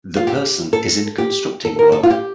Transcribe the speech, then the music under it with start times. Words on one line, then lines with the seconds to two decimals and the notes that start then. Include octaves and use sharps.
The person is in constructing work.
0.16 F4
0.27 G4
0.73 A4
1.18 G4
1.65 A4
1.79 A#4
1.92 A4
2.03 F4
2.10 G4